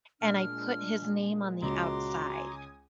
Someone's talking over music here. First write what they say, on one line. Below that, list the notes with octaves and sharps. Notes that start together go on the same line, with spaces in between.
and I put his name on the outside,
A#2 G#3 D4 F6
C#2 F#4 A#5 C6 D6
G#5 D#6